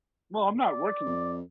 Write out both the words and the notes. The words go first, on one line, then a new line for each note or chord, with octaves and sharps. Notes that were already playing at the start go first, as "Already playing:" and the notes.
Well, I'm not working
D5
F2